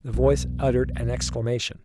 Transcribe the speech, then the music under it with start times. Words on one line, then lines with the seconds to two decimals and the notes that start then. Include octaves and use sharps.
The voice uttered an exclamation.
0.13 B1 E2